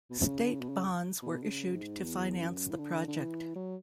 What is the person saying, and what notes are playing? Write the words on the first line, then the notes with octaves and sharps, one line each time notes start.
State bonds were issued to finance the project.
B2
C#3
D3
C#3
B2
C#3
B2
D3
C#3
G#2
E2
F#2
E3
D3
D3
E3
F#3